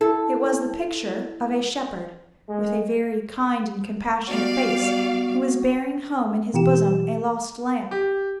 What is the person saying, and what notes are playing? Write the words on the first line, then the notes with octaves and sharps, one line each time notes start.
It was the picture of a shepherd, with a very kind and compassionate face, who was bearing home in his bosom a lost lamb.
E4 A4
G#3
G3 B3 F#4 D5 F5
B2 E3 G4 E7
G4